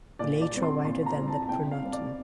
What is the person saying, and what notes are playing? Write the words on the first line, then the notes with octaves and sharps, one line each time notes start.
Elytra wider than the pronotum.
A#2 D5
D5
G3 C4
C6
A#2 C6
A#5
G3 C4
A5
A5
C3 G5
F5
G3 C4
D5